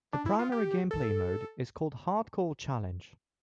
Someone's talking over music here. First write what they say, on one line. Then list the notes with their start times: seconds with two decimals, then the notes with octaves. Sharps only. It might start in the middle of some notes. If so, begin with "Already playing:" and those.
The primary gameplay mode is called Hardcore Challenge.
0.13 D4
0.26 E4
0.39 F4
0.52 G4
0.91 A4